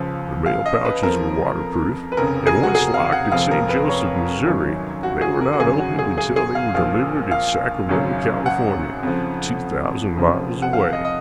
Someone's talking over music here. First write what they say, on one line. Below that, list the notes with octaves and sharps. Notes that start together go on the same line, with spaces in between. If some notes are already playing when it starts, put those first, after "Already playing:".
The mail pouches were waterproof, and once locked at St. Joseph, Missouri, they were not opened until they were delivered in Sacramento, California, two thousand miles away.
Already playing: C#2 C#3 F3
F5
D#5
B4
F2 F3 A#4
B4
F1 F2 C#3 A#4
G#4
F#4
G#4
F5
F#5
F1 F2 F3 F5
A#4
B4
C#5
G#1 F#2 D#3 F#3
F#4
G#4
A#4
F#4
G#1 F#2 C#3 F#3 G#4
F#4
G#4
G#4
G#4
F5
A#1 A#2 F3 F5
F5
G#1 F#2 C#3 F#3
F#5
F2 C#3 F3
F1 F2 C#3 F3
F#5
F5
D#5
D#5